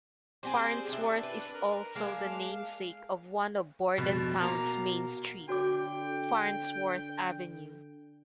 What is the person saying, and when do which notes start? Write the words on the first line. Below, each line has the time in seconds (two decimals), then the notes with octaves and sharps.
Farnsworth is also the namesake of one of Bordentown's main street, Farnsworth Avenue.
0.43 G3 C4 G#4 C5
0.88 C4 D4 E4
1.23 B4
1.54 A#4
1.95 G#3 A#3 D4 F5
3.98 F2 B2 D4
4.41 B2 A#3 A#5
5.49 D3 F#4 C#5 G5 D6